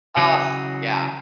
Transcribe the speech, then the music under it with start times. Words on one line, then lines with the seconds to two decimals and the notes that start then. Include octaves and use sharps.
Ugh, yeah.
0.17 C#3 E3 F#3 D#4 F#4 G#4